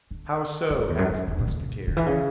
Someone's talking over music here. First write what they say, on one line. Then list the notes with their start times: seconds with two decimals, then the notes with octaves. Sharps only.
"How so?" asked the Musketeer.
0.11 D3
0.70 E3
0.79 F#2
0.90 E2
0.99 F#2
1.09 F#2
1.28 E2
1.39 A#2
1.48 C#3
1.87 D3
1.97 E3
2.06 C#3